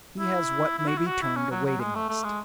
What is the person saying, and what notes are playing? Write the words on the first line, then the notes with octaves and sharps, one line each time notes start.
He has what may be termed a waiting-list.
E4
E4
F#4
E4
F#4
E4
C#4
F#3
F#3
G#3
A3
A3
G#3